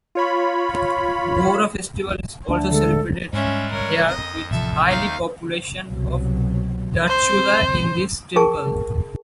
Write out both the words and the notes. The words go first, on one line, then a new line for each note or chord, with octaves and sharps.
Gaura Festival is also celebrated here with highly population of darchula in this temple.
F4 C#5 B5
D2 D4
D3 G#3 A4
G#2 G3 G#3 C#4 E5
A#4 C#5
F2 D#5
A1 C3 F3 A4 E5
D#2 D#3 D#4 F5 G6
C2 B2 F#3
C4 C5
G#4 A#4 G5 A5 C#6